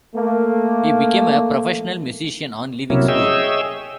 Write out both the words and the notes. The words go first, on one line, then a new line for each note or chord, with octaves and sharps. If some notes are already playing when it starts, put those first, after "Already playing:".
He became a professional musician on leaving school.
A3 A#3
C3 F#3 A#3 C#4 E4
G#4 C#5 D#5 E5 G5 E6